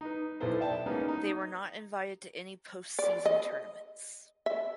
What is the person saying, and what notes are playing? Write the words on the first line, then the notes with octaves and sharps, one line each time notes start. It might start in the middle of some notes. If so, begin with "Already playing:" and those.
They were not invited to any post season tournaments.
D#4 B4
B1 B3 E4 A4 B4 C5
D5 E5 G5 A5
A#3 B3 C#4 D#4 G#4 A#4
D#4
D5
D#5
E5